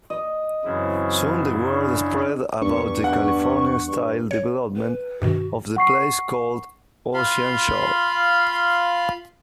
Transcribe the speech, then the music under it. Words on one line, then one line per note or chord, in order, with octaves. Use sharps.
Soon the word spread about the California-style development of the place called Ocean Shores.
D#5
F#2 C#3 E3 F#3 C4 E4
D4 D5
E2 G2 B3 D4 C#6
F#5
G2
C#5
B4
G2 B2 D#3 F#4
F#5 C#6 C7
F4 F5 B5 C6